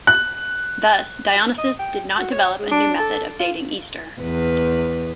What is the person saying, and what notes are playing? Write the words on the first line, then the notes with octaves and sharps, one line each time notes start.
Thus Dionysius did not develop a new method of dating Easter.
F#6
D#5
G5
F#4
C#5
G#3
D4
A4
F4
E2 B4